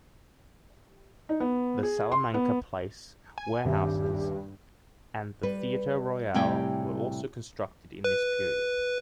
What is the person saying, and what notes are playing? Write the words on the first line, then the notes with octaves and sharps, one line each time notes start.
The Salamanca Place warehouses and the Theatre Royal were also constructed in this period.
D#4
B3
G#4
C6
B3
G#5
D#1 G#1 G2 G4 E5
G3 B4
A2 C3 G3 G4 G5 G#5
B4